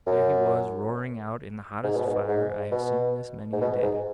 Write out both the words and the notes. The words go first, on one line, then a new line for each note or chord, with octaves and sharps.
There he was roaring out in the hottest fire I have seen this many a day!
F#2
G#2
B2
G#2
G#2
B2
G#2
B2
G#2